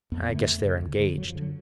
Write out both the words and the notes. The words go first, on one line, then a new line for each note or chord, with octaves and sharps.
I guess they're engaged.
F2 B3
B3
D3
A3
F2
C#3
D2
D3
F#2 F#3
F3
D3
F#3